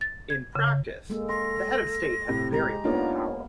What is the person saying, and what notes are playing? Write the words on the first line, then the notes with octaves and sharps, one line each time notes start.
In practice, the Head of State had very little power.
A6
G#6
C#3
G#3 A#3 A4
C6 A#6
A2 C3
G#3 G4 A#5
A#3 B3 D4 D#4 F4 C#5